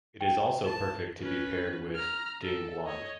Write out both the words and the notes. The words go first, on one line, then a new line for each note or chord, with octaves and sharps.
It is also perfect to be paired with dinuguan.
G5
A5 E7
C#4 B4
A#5 F6
A4
C#5 D#5